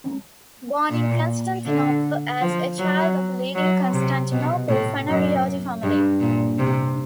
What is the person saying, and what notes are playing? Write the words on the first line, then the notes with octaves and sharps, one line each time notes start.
Born in Constantinople as a child of a leading Constantinople Phanariote family.
A#2
D3
F3
F#3
F#3
C3
B2
A2
F#2
G2
A#2
C3